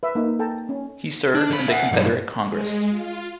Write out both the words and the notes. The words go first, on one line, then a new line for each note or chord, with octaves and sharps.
He served in the Confederate Congress.
B4 E5
A#3 D#4
A4 G5 A5 A#5
C#4
D4
D3 B5
E5 F#5
B1 G2
G#3
F4